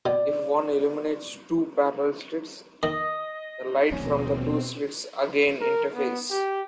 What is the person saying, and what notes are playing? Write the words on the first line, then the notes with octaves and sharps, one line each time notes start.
If one illuminates "two" parallel slits, the light from the two slits again interferes.
B2 D5
D#3 D#5
D#1 A#1 B2 C4 C#4
A#4
B3
G4